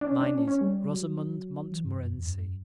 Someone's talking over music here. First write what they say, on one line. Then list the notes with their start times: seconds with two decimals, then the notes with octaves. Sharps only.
Mine is Rosamond Montmorency.
0.01 D4
0.07 C#4
0.21 D4
0.34 C#4
0.48 C#4
0.61 G3
0.89 F#3
1.71 E3
1.85 G2
1.99 F#2
2.12 E2
2.26 F#2